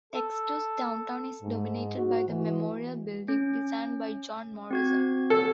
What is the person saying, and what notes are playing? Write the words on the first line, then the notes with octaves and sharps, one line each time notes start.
Dexter's downtown is dominated by the Memorial Building, designed by John Morrison.
A4
G#2
F#4
E3
C#4
C4 F#4 G#6
A4